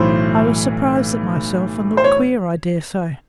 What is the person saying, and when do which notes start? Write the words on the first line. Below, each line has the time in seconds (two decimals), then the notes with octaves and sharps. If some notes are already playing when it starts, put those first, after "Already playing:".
I was surprised at myself, and looked queer I daresay.
Already playing: B1 A2 E3 C5
1.97 C5
2.04 C#5